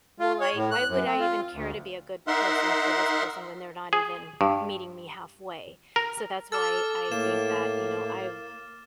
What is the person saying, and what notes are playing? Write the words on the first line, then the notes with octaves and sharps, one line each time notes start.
will I why would I even care to be a good person for this person, when they're not even meeting me halfway?" So, that's why I think that, you know, I
F4
C#5
A2
F#6
F#2
C4
F4
D2
D#4 A#4 E5 F#5 C6
G#4
G2
A#4
A4 D6 F6 A6
A2 A#3 E7